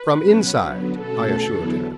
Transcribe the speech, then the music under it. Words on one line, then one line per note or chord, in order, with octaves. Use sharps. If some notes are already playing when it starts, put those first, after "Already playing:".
"From inside," I assured her.
Already playing: B4
B2 F#3 C#4
D3 F#3 B3
B2 A3 C#4 F#4 A4
E2 D3 F#3 B3 E4